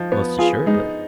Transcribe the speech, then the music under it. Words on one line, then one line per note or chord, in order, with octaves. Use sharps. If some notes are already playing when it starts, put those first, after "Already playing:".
Most assuredly.
Already playing: F3 D#4
B3
F4 G#4
G#3 D#4